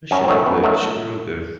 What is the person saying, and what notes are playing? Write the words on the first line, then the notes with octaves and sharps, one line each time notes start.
it should be good. It should be real good.
F#2 C#4
C4
D#3 F#3 A3 C#4
F#2 B3
D#3 F#3 A3